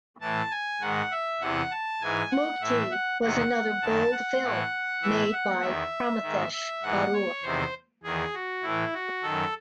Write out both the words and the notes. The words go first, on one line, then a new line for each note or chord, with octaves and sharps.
Mukti was another bold film made by Pramathesh Barua.
A2 E3 A5
G#5
G#2 D#3 F#5
E5
E2 C3 E3 F#5
A5
G#2 E3 G#5
F#5
A2 E3 E5
F#5
E2 C3 D#3 F#5
F#2 D#3 A5
F#5
A2 E3
A2 E3 E5
F#5
E2 D#3 E5
G#2 D#3
E5
G#2 E3 F#5
C#5
E2 C3 D#3 C5
E2 D#3 G#4
F#4
A2 E3 E4
F#4
F#2 D#3 A4